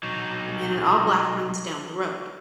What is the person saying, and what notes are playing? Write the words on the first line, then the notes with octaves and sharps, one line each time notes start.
A man in all black runs down the road.
F#3 D#4